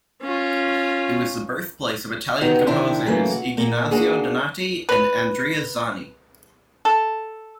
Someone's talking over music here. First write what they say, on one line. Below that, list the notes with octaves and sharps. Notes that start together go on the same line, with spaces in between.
It was the birthplace of Italian composers Ignazio Donati and Andrea Zani.
C#4 F4
C3 B3 D#4 F#4 G4
C3 D#3 C4 D4 E4 C5
C#3 E3 F#3 A3 A#3
F#4
A#2 A#3
A#3 D4 D#4 F#4 G#4
B4
A4